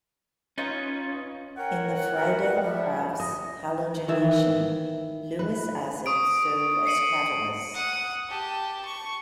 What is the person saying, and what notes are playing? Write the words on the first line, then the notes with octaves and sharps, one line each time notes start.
In the Friedel-Crafts halogenation, Lewis acids serve as catalysts.
C#4 D#4 F4 B4
A#4 C#5 F#5 G5
F#4 A#4 B4
F3 G3 E5
D#5
D#3 E3 E5
B4
C#6 D#6 D7
C7 C#7 D#7 F#7
F#5 D#6
G4 A5
C#6